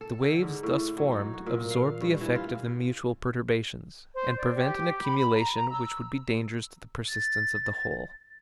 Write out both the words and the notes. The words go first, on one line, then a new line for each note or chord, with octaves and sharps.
The waves thus formed absorb the effect of the mutual perturbations, and prevent an accumulation which would be dangerous to the persistence of the whole.
A4
D3
G#2
A2
F#3
D#4
F#4
A#2
F5
G2
E3
F4
C5
D5
G4
B5
A#5
A#5
E6
A6